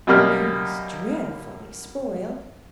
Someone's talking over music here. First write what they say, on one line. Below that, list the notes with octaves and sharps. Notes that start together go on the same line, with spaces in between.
She was dreadfully spoiled.
F#2 B2 G3 A#3 F6